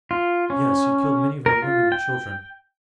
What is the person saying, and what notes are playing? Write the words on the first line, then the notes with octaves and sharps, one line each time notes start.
Yes, he killed many of our women and children.
F4
C#4
A#4
F4
G5